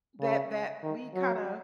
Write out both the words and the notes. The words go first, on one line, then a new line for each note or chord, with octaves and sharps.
that that we kinda
C#3
D#3
F#3